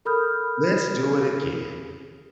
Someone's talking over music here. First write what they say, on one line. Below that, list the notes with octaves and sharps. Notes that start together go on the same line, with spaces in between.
"Let's do it again."
A4 A#4 B5 D#6 F6 G6